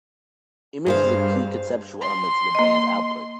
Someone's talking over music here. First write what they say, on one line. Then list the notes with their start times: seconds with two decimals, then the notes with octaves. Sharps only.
Image is a key conceptual element to the band's output.
0.86 G2 G#4 C5 F5
2.01 C6
2.55 A#3 D#5